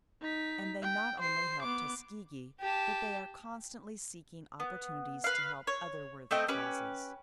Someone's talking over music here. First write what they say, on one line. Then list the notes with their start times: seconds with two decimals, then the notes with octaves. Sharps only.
And they not only help Tuskegee, but they are constantly seeking opportunities to help other worthy causes.
0.21 D#4 B6
0.82 G5
1.20 C5 C7
1.62 B3 D6
2.60 G4 A5
4.60 B3
5.24 B4 F5
5.67 C#5
6.31 A3 C4 D#5 G5
6.48 C#4 G4 B4